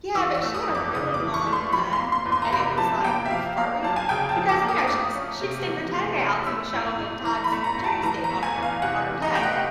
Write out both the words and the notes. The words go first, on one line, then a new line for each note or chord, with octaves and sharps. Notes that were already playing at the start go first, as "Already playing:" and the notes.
Yeah, but she had a really long tongue and it was, like, furry because, you know, she'd st she'd stick her tongue outs and show 'em the Todd's cherry stick on her on her tongue.
E3 E6
E6
A3
D#6
F2
D6
C#3 D#6
D6
E3
C#6
A3
C6
F3 B5
C6
A#3
C6
E2
C6
A#5
C3 B5
F3 A5
A#3 G5
E5
F3 F5
A#3 F5
F#2 A5
G#5
C#3 G5
A5
F3
D6
A#3
D#6
D6
A3 D#6
C#4
C3
E3
A3
C#4
A3 E6
A2
A2
E3 A#5
B5
A3
A#5
A2
A5
E3 A#5
A#5
A3
G#5
E2
F5
C3 F#5
E3
D#5
A3 G5
F#5
F5